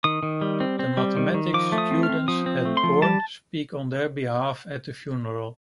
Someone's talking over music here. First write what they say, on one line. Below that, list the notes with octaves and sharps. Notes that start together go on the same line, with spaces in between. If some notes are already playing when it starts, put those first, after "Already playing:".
The mathematics students had Born speak on their behalf at the funeral.
D#3 D#6
D#3
G3
C4
C4
G3
D#3
D#3
F3 D6
A3
D#6
C4
F6
C4
F3 D#6
C4
A3
C6
F3
G3 A5